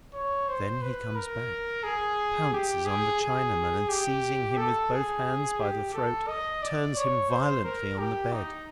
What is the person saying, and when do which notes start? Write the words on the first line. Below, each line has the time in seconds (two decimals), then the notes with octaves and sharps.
Then he comes back, pounces on the Chinaman, and seizing him with both hands by the throat, turns him violently on the bed.
0.14 C#5
0.48 C5
0.82 B4
1.16 A#4
1.84 G#4
2.53 G4
2.86 G#4
3.21 G#4
3.89 G4
4.58 A4
4.92 G#4
5.60 G4
5.94 A4
6.28 D#5
6.63 D5
6.96 C#5
7.30 C5
7.64 A#4
7.99 G4
8.33 D#4